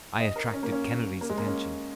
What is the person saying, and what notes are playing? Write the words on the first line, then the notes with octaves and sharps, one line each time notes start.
I attracted Kennedy's attention.
D#5
A#4
C#4
A#3
C#4
A#3
G#3
A#3
C#4